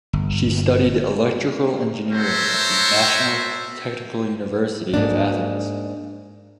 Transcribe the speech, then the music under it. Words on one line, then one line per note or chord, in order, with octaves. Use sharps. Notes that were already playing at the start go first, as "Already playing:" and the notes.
She studied electrical engineering at the National Technical University of Athens.
G1
F#4 A4 A#4 C5 C#5 E5
G#2 A#3 D4